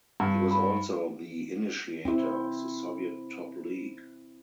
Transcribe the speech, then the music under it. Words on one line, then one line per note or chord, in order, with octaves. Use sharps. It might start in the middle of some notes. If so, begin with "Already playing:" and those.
He was also the initiator of the Soviet Top League.
G2
B5
C4 E4